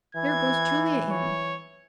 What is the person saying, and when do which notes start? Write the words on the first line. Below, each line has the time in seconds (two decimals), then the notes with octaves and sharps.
There goes Julia in.
0.15 E3 G#6
1.11 C#5